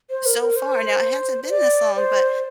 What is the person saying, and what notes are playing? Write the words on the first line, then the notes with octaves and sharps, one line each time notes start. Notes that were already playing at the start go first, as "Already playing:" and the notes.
so far. Now it hasn't been this long, but
C5
A#4
A#4
C5
D5
C5